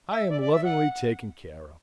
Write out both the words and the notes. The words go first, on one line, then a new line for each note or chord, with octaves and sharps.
I am lovingly taken care of.
E5
D5
D5
E5
F#5